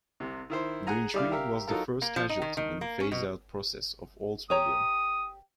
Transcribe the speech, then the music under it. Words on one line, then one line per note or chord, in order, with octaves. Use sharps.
The Intrigue was the first casualty in the phase-out process of Oldsmobile.
C2 C3
D#3 E4 C5
G#4 F#5 G#5 A#5
G3 E4 D5 F5
G4 A#4 E5 F5
F#3 D#4 F4 A4 A#4
A#3
F3
D#4
D#3
D#3
A#3
C#4
B2
G4 C#5 A#5 D#6